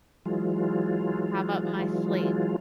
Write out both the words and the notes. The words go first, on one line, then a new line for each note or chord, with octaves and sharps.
have up my sleeve,
E3 F#3 G#3 F4